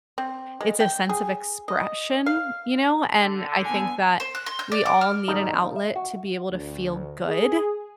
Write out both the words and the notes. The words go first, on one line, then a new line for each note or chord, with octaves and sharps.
it's a sense of expression, you know? And I think that we all need an outlet to be able to feel good,
C4
G#3
G5
G#4
D#5
F5
D3
B3 G#5
C5
F#6
C6
G6
D5
D6
F6
G#1 G3 D#4 D#5 A5
D#2
E5
F#4
D2
G#4